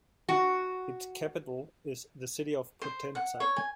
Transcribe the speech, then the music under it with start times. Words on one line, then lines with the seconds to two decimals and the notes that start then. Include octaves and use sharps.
Its capital is the city of Potenza.
0.29 F#4
2.82 C5
3.15 F#5
3.40 C#5
3.56 G#5